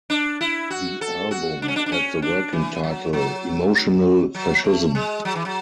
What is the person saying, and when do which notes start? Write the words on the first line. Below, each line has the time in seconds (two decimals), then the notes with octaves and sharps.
The album had the working title "Emotional Fascism".
0.10 D4
0.41 E4
0.70 F#4
1.01 A4
1.31 F#4
1.62 D4
1.68 C#4
1.76 D4
1.86 D4
1.92 C#4
2.22 D4
2.53 E3
2.83 F#3
3.13 F#3
4.35 F#3
4.64 A3
4.95 G#3
5.25 F#3
5.35 E3
5.45 F#3